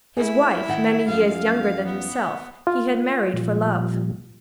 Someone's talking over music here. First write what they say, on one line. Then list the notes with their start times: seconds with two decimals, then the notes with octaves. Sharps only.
His wife, many years younger than himself, he had married for love.
0.17 E4 G#4
0.69 D#3 F#5 G5
1.08 F#2 F3 F5
1.85 B3
2.67 F4
3.33 A#2 F3 G3